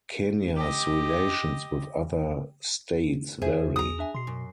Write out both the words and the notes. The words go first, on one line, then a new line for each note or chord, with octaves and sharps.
Kenya's relations with other states vary.
G4 D#5
E2 G#4 C5 E5 G#5
A#5 D#6
D4 E5 G#5
B2 C6 C7
F#2